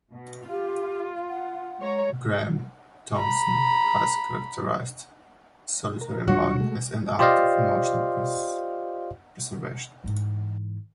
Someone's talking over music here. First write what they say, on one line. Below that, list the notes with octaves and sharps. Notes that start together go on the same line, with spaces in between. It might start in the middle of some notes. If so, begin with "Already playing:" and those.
Graeme Thomson has characterized "Solitary Man" as an act of emotional preservation.
B2
F4 G4
F#5
G#3 C#5 A#5
A#5 B5
A#4
D#1 G3 D4 F4 F#4 C#5 C#6
G#3 A3
F4 G4 C5 D5 D#5 F5
G#2 E3